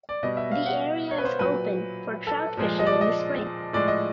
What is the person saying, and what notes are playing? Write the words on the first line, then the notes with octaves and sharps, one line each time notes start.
The area is open for Trout fishing in the spring.
D5
B2 G3 D#5
E5
F5
F#5
C#5
B4
C5
A#2 F#3 B4
A4
A#2 F3 G#3
D#5
D5
D#5
A2 F3 G#3 D5
D#5